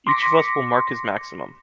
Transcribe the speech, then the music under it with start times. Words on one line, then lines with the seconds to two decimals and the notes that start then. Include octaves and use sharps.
Each of us will mark his maximum.
0.07 C6 D6 A#6 B6 C#7